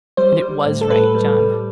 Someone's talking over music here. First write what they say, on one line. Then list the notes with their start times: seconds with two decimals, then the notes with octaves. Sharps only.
And it WAS right, John!
0.17 G3 C5
0.42 G3
0.66 A2
0.81 A4
0.90 A2 B4
1.15 G3
1.39 G3